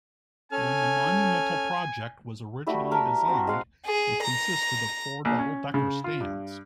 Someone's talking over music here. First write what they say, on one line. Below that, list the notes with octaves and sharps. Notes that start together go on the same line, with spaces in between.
When the Monumental project was originally designed, it consisted of four double decker stands.
C#4 A4 G#5 F6
G3 A3 E4 F#4
A#4 A5 B5
C4 F#4
G#3 F5 F#5
G#4
A#5
A#1
C#4
C#3
F4
G2